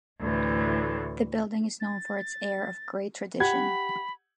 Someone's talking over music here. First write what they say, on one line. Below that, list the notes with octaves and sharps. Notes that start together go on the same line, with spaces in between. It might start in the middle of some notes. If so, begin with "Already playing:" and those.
The building is known for its air of great tradition.
D2 A2 E3
A6
G4 F#5 B5 G#6